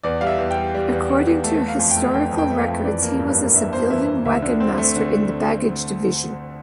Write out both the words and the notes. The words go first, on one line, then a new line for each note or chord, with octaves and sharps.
According to historical records, he was a civilian wagon master in the baggage division.
E2 D5
G3 F5
E5
E2
G5
G3
G3
E2
E2
E2
A3 A5
A3
F5
F2
G5
A3
F2 G5
F2
G5
A3
F5
F2
E3 D5
A#3
G2
A#3
G2 E5
A#3 C5
E3 E5
E3
D2 E5
D3
C4
A3
D3